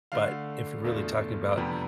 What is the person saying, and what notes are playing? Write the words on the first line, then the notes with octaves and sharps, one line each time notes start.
but if you're really talking about
D3 A3 D4 F5
E2 B2 A3 D4 F4
F2 C3 G3 B3 D4